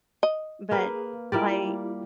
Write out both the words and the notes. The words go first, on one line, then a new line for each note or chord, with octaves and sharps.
But, like,
D#5
A#3 G#4 B4 F5
G3 A#3 E4 F4 G4 D5